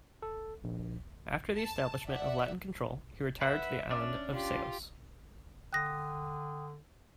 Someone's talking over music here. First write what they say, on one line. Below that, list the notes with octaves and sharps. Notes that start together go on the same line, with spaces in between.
After the establishment of Latin control, he retired to the island of Ceos.
A4
A#1
A5
D5 E5 F#5
B4 E5 F#5
C#4 D4 D5
F4 G4
D3 G5 D#6 F#6 A#6